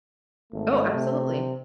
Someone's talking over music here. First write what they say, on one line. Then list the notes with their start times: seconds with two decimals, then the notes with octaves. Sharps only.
Oh, absolutely.
0.52 G#1 A3
0.94 C3